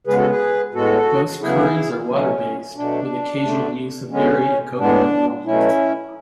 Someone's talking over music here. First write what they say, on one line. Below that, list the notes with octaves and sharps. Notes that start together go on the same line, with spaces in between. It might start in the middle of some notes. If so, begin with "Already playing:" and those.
Most curries are water based, with occasional use of dairy and coconut milk.
C#3 G#3 B3 G#4 B4
F#4 A4
G#4 B4
A2 G#3 B3 F#4 A4
C#3 F#3 B3 E4 G#4
B2 F#3 A3 C#4
B2 F#3 A3 D4
D3 A3
D3 G#3 B3 C#4
A2 G#3 B3 D4
B2 F#3 A3 C#4 E4